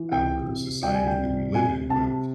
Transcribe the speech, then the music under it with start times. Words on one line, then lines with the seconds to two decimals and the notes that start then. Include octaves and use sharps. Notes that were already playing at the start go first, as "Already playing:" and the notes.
our society that we live in, but,
Already playing: E3
0.11 C3 G5
0.47 C3
0.83 G3 G5
0.94 G#5
1.07 G5
1.18 C3
1.55 C3 G#5
1.89 C3 A5